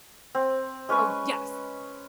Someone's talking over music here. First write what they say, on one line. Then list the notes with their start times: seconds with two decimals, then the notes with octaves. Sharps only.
Oh, yes!
0.35 C4
0.89 G#3 C#4 B4 C#6